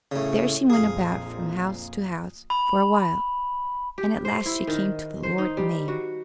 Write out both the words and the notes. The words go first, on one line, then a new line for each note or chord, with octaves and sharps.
There she went about from house to house for a while, and at last she came to the Lord Mayor.
A2 C#3
A#1 F2 A#2 G#4 F5
B5
G4
C5
E4
D#3
C5
D#4
G3
F#4